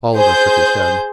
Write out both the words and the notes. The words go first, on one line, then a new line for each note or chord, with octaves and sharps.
Oliver shook his head.
G#4 C5 G6